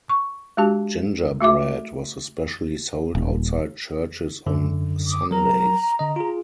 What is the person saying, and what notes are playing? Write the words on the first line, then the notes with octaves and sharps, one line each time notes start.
Gingerbread was especially sold outside churches on Sundays.
C#6
G#3 D4 F#4 G4 A5
A3 F#4 E5 D6
D#1
F#2 D3
D6 D#6
F#3 A#4 A#5
D3 D#5
F4 G#4